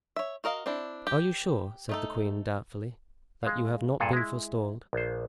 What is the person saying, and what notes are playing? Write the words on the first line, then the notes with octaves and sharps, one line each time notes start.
"Are you sure," said the queen doubtfully, "that you have not been forestalled?"
C#5 E5
F#4 A#4 D#5 F5
C4 D4 E4
G4
A3 D#4 A4
G#3 F5
G2 A#2 G#4 A4
G#3 E4
A#1 C5